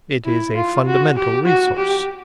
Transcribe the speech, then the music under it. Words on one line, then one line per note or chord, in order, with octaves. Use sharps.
It is a fundamental resource.
E4
F4
F#4
G4
F#4
G4